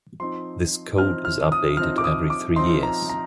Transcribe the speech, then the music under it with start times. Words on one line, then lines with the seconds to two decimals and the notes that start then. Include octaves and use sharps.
This code is updated every three years.
0.20 F3 C4 D#4 C6
0.98 F3 C4 D#4 F6
1.25 F6
1.52 D#6
1.77 F3 C4 D#4 F6
1.98 D6
2.04 D#6
2.30 D6
2.56 F3 C4 D#4 C6
2.83 A#5
3.09 A#5